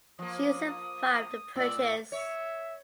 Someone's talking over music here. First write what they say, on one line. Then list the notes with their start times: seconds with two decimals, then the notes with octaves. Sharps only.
She survived the purges.
0.19 F3 A#3 D#6
1.56 A2 D5 E6
2.12 C#5 E5